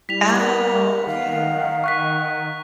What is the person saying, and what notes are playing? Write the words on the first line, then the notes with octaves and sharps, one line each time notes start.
Oh, yeah.
G3 E4 B6 F7
A#4 F#5
F#5
D#3 F5
C#6 F#6 B6